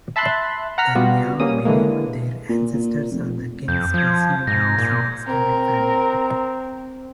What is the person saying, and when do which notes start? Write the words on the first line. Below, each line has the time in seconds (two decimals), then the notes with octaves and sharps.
The Nyaw believed their ancestors are the king's personal guards and extended family.
0.16 E5 A5 B5 C6 F#6
0.78 F#5 A#5 F6 B6
0.95 G3 B3 F4 F#4
1.40 G3 A#3 C#4 D#6
1.65 D3 E3 G#3 A#3
2.49 A#2
2.74 A#2
3.11 F1
3.68 F2 G6
3.94 F3 G6 G#6
4.47 G#2 A#6
4.78 A#2
5.28 C4 A#4